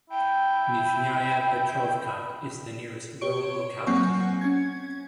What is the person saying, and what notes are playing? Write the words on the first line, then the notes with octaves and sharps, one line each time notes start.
Nizhnyaya Petrovka is the nearest rural locality.
E4 G5
G4 C#5 C#6 D7
F#3 A#3 C4 F#5 G#5 C#6
C#4 G#6